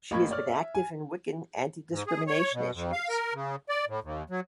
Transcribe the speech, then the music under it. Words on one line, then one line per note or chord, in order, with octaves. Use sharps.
She has been active in Wiccan anti-discrimination issues.
A1 A#3 B5 C#6 G#6
C#5 D5 F6
E5
G#5
G#2
G#4
C#5
B2
F2
F5
A#4
C#3
D5
A2
D#2
F#3